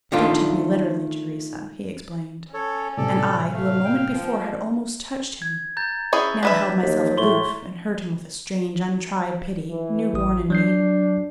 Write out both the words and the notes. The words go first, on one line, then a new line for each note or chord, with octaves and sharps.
"Don't take me literally, Theresa," he explained; and I, who a moment before had almost touched him, now held myself aloof and heard him with a strange untried pity, new born in me.
D#3 A3 D4 F4
C#4 A4 C#5
A2 C3 G3 A4 D5
A3 F5
G5
F3
G#6
A#5 G6 A6
C#4 E4 G#4
D4 B4 E5 B6
D#2
A2 C6 C#6 G7
E3
A1 D#6
F#3 D4 G6 C7